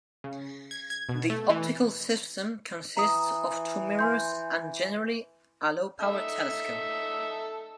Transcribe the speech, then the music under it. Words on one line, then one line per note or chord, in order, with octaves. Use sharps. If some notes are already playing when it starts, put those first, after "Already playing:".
The optical system consists of two mirrors and, generally, a low power telescope.
C#3
G#6
G#6
B2
A3
E3
E3 A#5 D#6
G#5 C6 G6
D#4 A4 E5